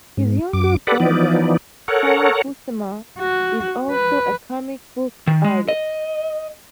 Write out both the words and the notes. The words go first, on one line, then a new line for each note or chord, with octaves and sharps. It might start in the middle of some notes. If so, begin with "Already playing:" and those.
His younger brother Sal Buscema is also a comic book artist.
G#2
F#2 D6
G4 A4 B4 D5 F#5
E3 F3 B3 D#4 D5
A4 A#4 C#5 F#5
F#4
B4
D#3
G#3
D#5